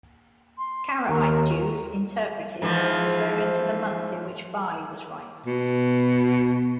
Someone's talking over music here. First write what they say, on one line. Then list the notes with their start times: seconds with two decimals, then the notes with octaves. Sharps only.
Karaite Jews interpret it as referring to the month in which barley was ripe.
0.58 C6
1.09 D#2 A#4 A#5 C#6
2.62 G#2 E3 F3
5.46 B2